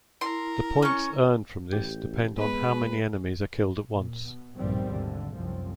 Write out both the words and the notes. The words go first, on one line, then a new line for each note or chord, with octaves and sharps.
The points earned from this depend on how many enemies are killed at once.
E4 A#4 C6
C#4 C#6
A1 G4 G6
G#3 B3 G#4 B4
A#2
B2
A#1 G2 B2 D#3 G3 C4
G#1 D#2 D3
F1 C2 F#2 F3 C4